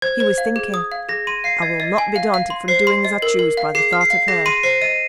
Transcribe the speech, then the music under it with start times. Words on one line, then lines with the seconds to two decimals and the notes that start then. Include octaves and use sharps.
He was thinking, 'I will not be daunted from doing as I choose by the thought of her.
0.02 C5 G#6
0.20 C5
0.38 F5
0.56 G#4
0.74 D#6
0.92 F5
1.09 G#4 A#6
1.27 C6 D#7
1.44 F5 C7
1.62 D#5 G#6
1.80 D#5
1.98 G#5
2.16 F5
2.34 F5
2.50 C6
2.68 C5 C7
2.87 C6
3.05 D#5
3.22 A#4
3.39 A#4
3.57 F5
3.75 G#4 C7
3.93 F6
4.01 C7
4.10 F5
4.28 G#4 A#6
4.46 C6 D#7
4.63 C5 C7
4.81 D#5 D#7